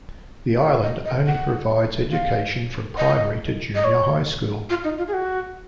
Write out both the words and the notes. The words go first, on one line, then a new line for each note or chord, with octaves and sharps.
The island only provides education from primary to junior high school.
D#5
D#5
F#5
F5
D#5
D#5
C#5
F4
D#4
F4
G#4
F#4